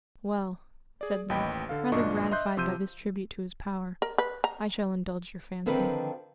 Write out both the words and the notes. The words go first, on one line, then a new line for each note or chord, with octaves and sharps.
"Well," said Link, rather gratified by this tribute to his power, "I shall indulge your fancy."
G#4 D5
A1 D#2 D#5 G5 B5
D3 A4 F5
G1 F#2 A#2 D4 D#5 C#6
D#5 E5 C6 F#6 G6
C3 F3 C6 E6 G6 D#7
A#4
B4
A#5
D3 D#3 F3 C4 A#4 B4